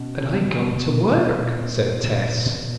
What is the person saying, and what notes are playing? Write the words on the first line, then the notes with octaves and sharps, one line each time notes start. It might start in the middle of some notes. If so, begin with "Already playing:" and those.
"But I am going to work!" said Tess.
Already playing: B2 C#4
B2
A#2
A#2
A#2 C4
A#2
A#2